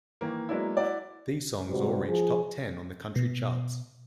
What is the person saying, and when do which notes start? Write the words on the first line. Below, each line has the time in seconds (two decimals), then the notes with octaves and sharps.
These songs all reached Top Ten on the country charts.
0.21 D#3 E3 A#3
0.49 F#3 G#3 A#3 B3 D4 E4
0.77 E4 F#4 D5
1.68 G#2 C3 G3 F#4 B4
2.08 F3 G#4
3.16 B2